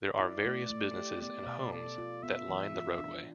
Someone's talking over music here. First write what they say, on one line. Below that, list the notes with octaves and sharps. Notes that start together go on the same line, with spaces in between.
There are various businesses and homes that line the roadway.
E4 D5
A3
A3
G4
B3 D5
B2
A4 D5
F4
B3 E5
E3
F4
D4